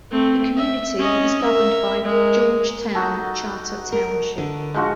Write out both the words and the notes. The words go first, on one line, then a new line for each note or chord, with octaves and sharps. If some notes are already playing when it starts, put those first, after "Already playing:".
The community is governed by Georgetown Charter Township.
A3 C4
E5
C#4 D#5
A#4 E5
G#3 A#4
D#4 F#4 A4
A#4
D3
G#2 F3 F#4